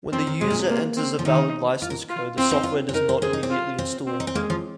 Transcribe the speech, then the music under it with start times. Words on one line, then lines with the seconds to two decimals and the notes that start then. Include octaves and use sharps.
When the user enters a valid license code, the software does not immediately install.
0.12 F3 C4
0.27 D#3
0.41 C3 G#3
0.50 A#2
0.59 C3
0.69 A#3
0.97 C4
1.19 F3
1.25 D#3 D#4
1.82 F4
1.90 A#4
2.10 F4
2.37 C4 F4
2.51 D#4
2.63 F4
2.89 C4
2.94 D#4 A#4
3.09 C4
3.22 C4 G#4
3.33 D#4
3.43 C4
3.51 F4
3.78 C4
4.07 C4
4.20 D#4
4.27 C4
4.35 G#3 A#3
4.50 F3